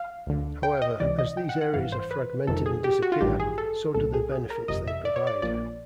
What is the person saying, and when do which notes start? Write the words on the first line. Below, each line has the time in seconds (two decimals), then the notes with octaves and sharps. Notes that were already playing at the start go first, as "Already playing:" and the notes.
However, as these areas are fragmented and disappear, so do the benefits they provide.
Already playing: F5
0.27 D2 D3
0.63 G5
0.82 D#5
1.00 C#2 C3 E3 D5
1.19 D#5
1.37 G5
1.49 F#5
1.61 F#5
1.73 G#1 G2 E3 F5
1.92 C5
2.11 B4
2.47 G1 F2 C3 D#3 A4
2.66 G#4
2.84 G4
3.02 F#4
3.12 F4
3.21 A1 G2 D#3 G4
3.40 G#4
3.58 A4
3.94 C2 A#2 A4
4.13 G#4
4.32 G#4
4.50 A#4
4.68 G1 F2 C3 D#5
4.87 E5
5.05 D5
5.16 C#5
5.27 D5
5.42 A#1 A#2 D5